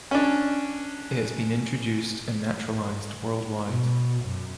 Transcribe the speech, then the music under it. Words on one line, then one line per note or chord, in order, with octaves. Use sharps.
It has been introduced and naturalized worldwide.
C#4 D4
B2
F#2